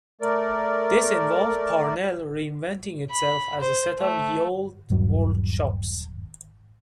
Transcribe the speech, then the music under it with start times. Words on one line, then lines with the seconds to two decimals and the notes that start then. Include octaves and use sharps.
This involved Parnell re-inventing itself as a set of "Ye Olde Worlde Shoppes".
0.21 A3 A#4 D5
3.11 B5
3.61 C5
4.00 A3
4.90 D#1 G2 F#3